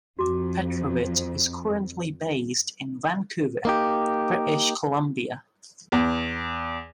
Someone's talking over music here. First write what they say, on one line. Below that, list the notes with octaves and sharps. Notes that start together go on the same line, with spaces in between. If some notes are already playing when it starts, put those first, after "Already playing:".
Petrovich is currently based in Vancouver, British Columbia.
F2 F#4 D6
A#3 D#4 G4
E2